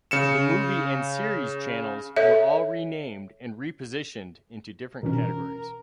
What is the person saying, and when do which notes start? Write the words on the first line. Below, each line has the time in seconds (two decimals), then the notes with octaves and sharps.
The movie and series channels were all renamed and repositioned into different categories.
0.11 C#3 C#7 E7
2.16 A4 C#5 E5
5.03 B2 E3 C#4 A#4